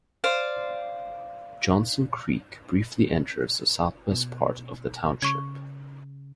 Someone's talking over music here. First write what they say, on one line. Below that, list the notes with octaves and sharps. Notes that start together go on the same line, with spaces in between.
Johnson Creek briefly enters the southwest part of the township.
C5 D5 F5
B2
C#3 C#6 G#6